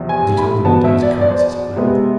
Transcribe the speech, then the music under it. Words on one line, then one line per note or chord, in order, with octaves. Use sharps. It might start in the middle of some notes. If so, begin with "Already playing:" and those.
And he told him the day's occurrences at length.
Already playing: E2 C3 F3 B3
G#5
B5
E2 B2 B3 A5
E5
D5
D5
C5
D5
C3 G#3 B3